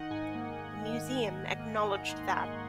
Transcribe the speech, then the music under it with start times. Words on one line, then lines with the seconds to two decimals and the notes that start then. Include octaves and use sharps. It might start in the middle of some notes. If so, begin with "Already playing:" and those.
The museum acknowledged that.
Already playing: D#3 D#4 D#5 F#5
0.11 G#2 G#5
0.35 A#3
0.60 D#4
0.85 D#3
1.10 D#4
1.35 D#4
1.59 A#3
1.84 D#3 A#5
2.09 A#3 C6
2.34 D#3 C#6